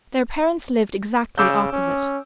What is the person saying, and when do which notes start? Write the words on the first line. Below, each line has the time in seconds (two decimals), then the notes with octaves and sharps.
Their parents lived exactly opposite.
1.38 C#3 D6 E6 G6
1.73 C#4